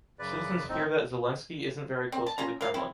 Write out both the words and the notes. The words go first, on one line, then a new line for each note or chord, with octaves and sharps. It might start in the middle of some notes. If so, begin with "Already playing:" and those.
Citizens fear that Zelensky isn’t very close to the Kremlin.
F#2 C#3 B4 D5
A2 C4 D#4
C4
A5
C#4 F4 A#5
A#4 F5
C4 E4